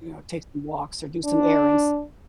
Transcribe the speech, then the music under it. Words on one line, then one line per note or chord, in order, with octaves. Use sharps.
you know, take some walks or do some errands.
D4